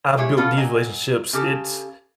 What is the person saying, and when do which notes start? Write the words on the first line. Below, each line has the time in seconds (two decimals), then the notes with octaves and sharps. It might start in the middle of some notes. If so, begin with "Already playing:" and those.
I've built these relationships, it's
0.17 G#3 E4 G4 G#4 C#5
0.37 B3 C#4 F4 A4
0.57 F#3 D#5 G#5
1.33 C#3 G4 A4